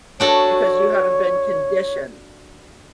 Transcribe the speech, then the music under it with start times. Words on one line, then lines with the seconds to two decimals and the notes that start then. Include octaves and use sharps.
because you haven't been conditioned.
0.20 D4 F#4 A4 C#5